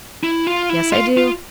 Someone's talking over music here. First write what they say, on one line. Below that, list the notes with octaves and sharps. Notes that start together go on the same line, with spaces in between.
"Yes, I do."
E4
F4
E4
F4
F4